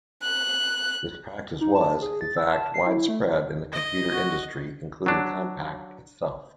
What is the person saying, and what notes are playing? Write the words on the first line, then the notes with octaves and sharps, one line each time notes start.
This practice was, in fact, widespread in the computer industry, including Compaq itself.
F#6
D#4
A5
G#4
A6
E6
A5
C7
E4
A3
D#5
F#4
F#3 D4